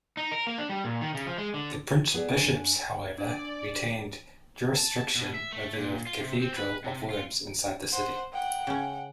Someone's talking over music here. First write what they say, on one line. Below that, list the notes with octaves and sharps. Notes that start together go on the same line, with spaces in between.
The prince-bishops however retained jurisdiction over the Cathedral of Worms inside the city.
D#4
A#4
A#3
D4
G3
A#2
D#3
C#3
F3
G#3
D3
B3 G#4 A4 D5
F#2 D4 G#5
D4 D5
A5
B2
E5
A3
A#2
F4
C3
C4
B4
C3
F4
C5 F#5
F#5 G5
C#3 C#4